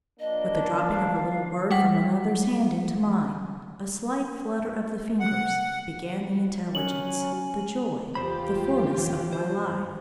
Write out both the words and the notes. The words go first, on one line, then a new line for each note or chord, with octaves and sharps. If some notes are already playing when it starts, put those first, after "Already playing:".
With the dropping of a little word from another's hand into mine, a slight flutter of the fingers, began the intelligence, the joy, the fullness of my life.
F3 A#3 D4 D#5
F5
G3 F#5 B6
F#5
F#3 C#4 G#5 F#7
E2 F4 G4 C5 B5
E3
C5
G2